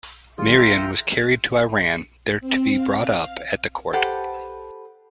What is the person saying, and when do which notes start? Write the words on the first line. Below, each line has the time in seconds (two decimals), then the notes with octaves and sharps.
Mirian was carried to Iran, there to be brought up at the court.
0.38 D#3 G3 F4 G#4
0.58 E5 G5 A#5
2.41 C4
2.71 F5
3.93 G4 A4 B4 C5 F#5